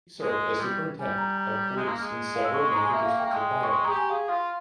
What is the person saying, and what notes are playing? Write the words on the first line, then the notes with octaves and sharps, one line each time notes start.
He served as superintendent of police in several major districts of Bihar.
G#3
G3
G3 G#5
A#5
A#5
G#3
A#3
G#3
F5
E6
C#6
C#6
A#5
G#5
A#3 E5
F5
G5
A#3
G#3 G5
G#5
C#6
G#3 C6
G#4 A#5
G4
G#5
G#4 F5
F4 F5